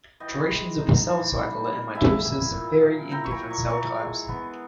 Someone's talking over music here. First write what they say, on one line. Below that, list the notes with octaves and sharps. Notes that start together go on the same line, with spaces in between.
Durations of the cell cycle and mitosis vary in different cell types.
E3 D#5 G5
G#3
D#4
E3
G3
A#3
E4 E5 G#5
G3
A#2
A#3
E4 G5 A#5
C#6
G#5 B5
A#2
A#5 C#6
E3 A#5 C#6
G#3
B3